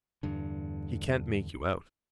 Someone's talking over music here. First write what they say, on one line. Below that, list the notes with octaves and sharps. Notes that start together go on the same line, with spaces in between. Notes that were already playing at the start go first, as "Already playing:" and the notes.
He can't make you out.
E2 G2 D3